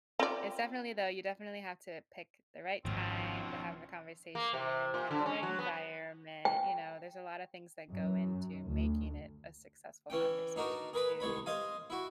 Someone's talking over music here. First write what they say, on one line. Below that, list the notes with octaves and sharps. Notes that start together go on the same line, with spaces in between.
It's definitely though you definitely have to pick the right time to have the conversation, kind of the right environment, you know? There's a lotta things that go into making it a successful conversation too, hmm.
C4 F4 D5
G#1 G#2 B2 D#3 F3 C4 C#4
A#3
C3
A#2
D3
C#4
F#3
B3
G5
F#2
D2
E3 C#4 G5
D4 D#4 F#4 A#4
G#4 A#4 B4 B5
C2 G#3 C#5 B5
C5 D#5 F5 G#5
E4 F#4